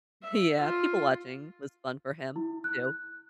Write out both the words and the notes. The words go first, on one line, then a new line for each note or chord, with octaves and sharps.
Yeah, people watching was fun for him too.
E5
F4
E4
F#6